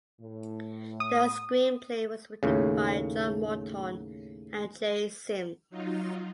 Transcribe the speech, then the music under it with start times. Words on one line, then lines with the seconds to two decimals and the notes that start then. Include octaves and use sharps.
The screenplay was written by John Morton and Jay Simms.
0.21 A2
1.00 D#6
2.43 D#2 A2 C#3
5.70 F#3 D#4 F4